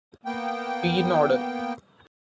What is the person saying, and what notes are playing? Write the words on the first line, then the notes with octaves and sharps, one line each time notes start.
Be in order.
A#3 B3 G5